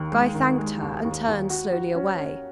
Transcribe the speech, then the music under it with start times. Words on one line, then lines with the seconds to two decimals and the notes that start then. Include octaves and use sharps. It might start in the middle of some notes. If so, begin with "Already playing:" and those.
Guy thanked her, and turned slowly away.
Already playing: D#2 D#3
0.12 G#3
0.34 D#3
0.59 G#3
0.81 D#2
1.04 D#2
1.27 D#2
1.50 F#4
1.72 F#4
1.95 C#4
2.18 C#4